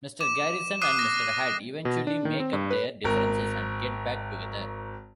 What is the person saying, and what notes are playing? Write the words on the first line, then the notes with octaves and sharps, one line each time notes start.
Mr. Garrison and Mr. Hat eventually make up their differences and get back together.
D6 E7
D6 D#6 F#6 C7 D#7
D6 A#6
B2
D4
D#3
C4
G2
B4
G#1 A#4